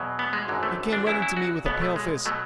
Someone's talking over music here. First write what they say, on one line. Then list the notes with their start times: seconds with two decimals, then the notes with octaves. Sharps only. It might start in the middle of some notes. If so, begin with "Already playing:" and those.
He came running to me with a pale face....
Already playing: E2 B2 F#3
0.19 B3
0.33 G#3
0.48 G#1 F#2 D3 F#3
0.63 A3
0.93 D4
1.07 E2 C#3 F#3 E4
1.22 E4
1.37 F#4
1.66 B1 B2 F#3 B3
1.81 A3
1.96 G#3
2.25 B2 F#3 A3